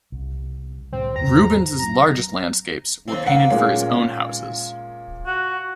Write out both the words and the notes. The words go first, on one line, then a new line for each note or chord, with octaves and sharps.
Rubens' largest landscapes were painted for his own houses.
C2 C3
A2 D3 G3 C4
E2 G#2 D#3 A#5
F#3 C4 A#5
D#2 C4
A#3 F#5
A#2 G#3 C#4
F#4